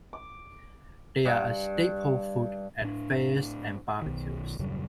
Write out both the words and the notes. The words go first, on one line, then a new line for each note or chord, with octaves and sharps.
They are a staple food at fairs and barbecues.
D6
G2
A2 D4
B1 D#3
D#1 F#2 C#3 G3